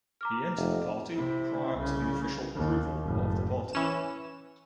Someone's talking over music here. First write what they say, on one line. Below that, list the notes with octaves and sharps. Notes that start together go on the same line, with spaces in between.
He entered the party prior to the official approval of the party.
A#5 D6 F6
F1
C3 E4
C2 C#3
D#2
F#1 A2
E3 C#4 E7